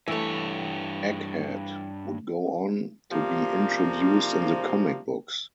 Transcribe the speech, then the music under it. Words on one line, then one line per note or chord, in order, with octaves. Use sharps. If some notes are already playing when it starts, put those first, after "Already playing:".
Egghead would go on to be introduced in the comic books.
G2 E3 A3 C#5
C3 F3 G3 A#3